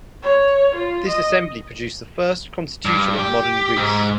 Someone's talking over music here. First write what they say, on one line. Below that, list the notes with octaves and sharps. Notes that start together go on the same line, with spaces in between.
This assembly produced the first constitution of Modern Greece.
C#5
F4
D#5
G2
G4
G#2